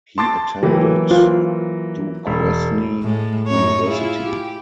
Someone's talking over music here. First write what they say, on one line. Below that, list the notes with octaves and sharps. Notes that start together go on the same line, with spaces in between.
He attended Duquesne University.
A5 C6 D6 A6
E3 F#3 A#3 G4
F4 C5
E1
A2 G#3
F#2 D#4 C#5
E4 F4 G#4
G4